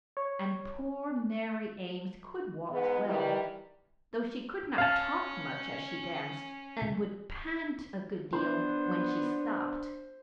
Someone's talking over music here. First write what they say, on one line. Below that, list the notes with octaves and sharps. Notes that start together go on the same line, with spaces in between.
And poor Mary Eames could waltz well; though she could not talk much as she danced, and would pant a good deal when she stopped.
C#5
G#2 B3
D#3 E3 G3
C#4 F5 A5
B3 D4 C5